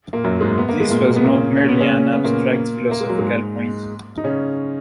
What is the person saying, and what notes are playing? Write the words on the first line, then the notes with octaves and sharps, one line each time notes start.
This was not merely an abstract philosophical point.
A#2 A#3
F#2 F#3
G#2 G#3
B3
A#3
G#3
A#2 A#3
B3
A#2 A#3
C#3 C#4
C#4
B3
C#3 C#4
B3
A#2 A#3
A#3
G#3
F#3
G#2 G#3
D#4
C#3 C#4